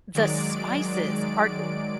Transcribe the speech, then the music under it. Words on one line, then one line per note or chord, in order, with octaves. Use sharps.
the spices are,
D#3 F#3 G#3 D5 D7